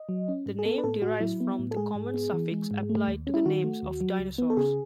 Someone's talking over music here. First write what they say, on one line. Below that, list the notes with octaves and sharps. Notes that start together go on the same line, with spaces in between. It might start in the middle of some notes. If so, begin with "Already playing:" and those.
The name derives from the common suffix applied to the names of dinosaurs.
Already playing: D#5
F#3
C#4
G#2
G#4
B3 A4
B4
A2 A4
A2 F#4
F#3 E4
B3
A2
A4
G#3 G#4
G#2
B3
E3
G#3
G#2
A3
D#2
C#4
E4
D#3 F#4
A3
D#2
F#3
C#2
B3
A4
C#3 G#4